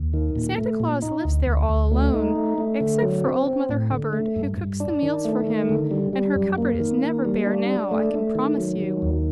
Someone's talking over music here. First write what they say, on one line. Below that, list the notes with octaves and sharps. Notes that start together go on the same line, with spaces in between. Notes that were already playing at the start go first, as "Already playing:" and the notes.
Santa Claus lives there all alone, except for old Mother Hubbard, who cooks the meals for him; and her cupboard is never bare now, I can promise you!
Already playing: D#2
D#3
A#2
A3
A#2
D#4
D2
D2
D2
A3
D#4
A3
A3
D3
F#3
C4
C4
A2
D3
A3
G2
G2
D4
D#3
A3
D#3
D3
G3
G3
F#2
A#3
D#3
A#3
G3
D4
D4
A3
A3
D#3
F#3
D#3
D#2